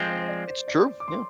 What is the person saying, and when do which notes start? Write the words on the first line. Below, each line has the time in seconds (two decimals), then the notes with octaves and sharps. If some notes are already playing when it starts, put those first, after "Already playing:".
I It's true, yeah.
Already playing: F3 G#3 C4
0.08 C5
0.19 C5
0.28 D5
0.47 C5
0.68 D5
1.00 D6
1.08 C6